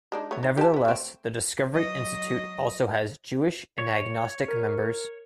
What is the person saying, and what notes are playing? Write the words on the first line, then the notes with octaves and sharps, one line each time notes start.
Nevertheless, the Discovery Institute also has Jewish and agnostic members.
G#3 D4 D#4
A3 B3 C#5
D#4
G4 A5
A4 B4
A3 C4
F#3 D#5
C#5
A#4